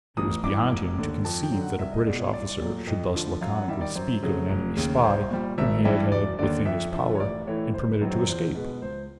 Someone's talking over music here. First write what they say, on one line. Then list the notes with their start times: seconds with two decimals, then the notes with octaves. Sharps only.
It was beyond him to conceive that a British officer should thus laconically speak of an enemy spy whom he had had within his power and permitted to escape.
0.17 A1 D#6
0.44 G2 E3 D6
0.71 F1
0.98 D#2 D3
1.25 F2 A5
1.43 G5
1.52 D3 F#3
1.61 F#5
1.79 C2 E5
1.93 D#5
2.06 B2 G#3 D5
2.20 C#5
2.33 C2 D5
2.60 A#2 F#3 A3
2.87 F2 D#5
3.14 D3 F3 A3
3.41 F#2 F5
3.55 F#5
3.68 D#3 G3 E5
3.81 D5
3.96 F#2 C5
4.23 C#3 F#3 A3
4.49 F1
4.77 D#2 C#3
5.04 C2 C5
5.30 A#2 G3
5.58 G#1 E5
5.84 G2 E3 G3 E5
6.11 E1 D5
6.39 D#2 D3 D5
6.65 F2 E5
6.92 D3 F3 E5
7.15 C#5
7.19 A1 D5
7.47 A2 E3 A3 C#5
7.73 G1 C5
7.92 B4
8.01 F#2 D#3 F#3
8.10 C5
8.28 E2 C5
8.54 B2 G#3 B4
8.82 C#2 C5